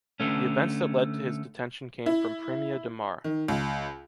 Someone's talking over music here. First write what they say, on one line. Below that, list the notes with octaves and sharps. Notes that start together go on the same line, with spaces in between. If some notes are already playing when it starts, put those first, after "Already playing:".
The events that led to his detention came from Premià de Mar.
D3 A3 C#4
E4
D#3
C#2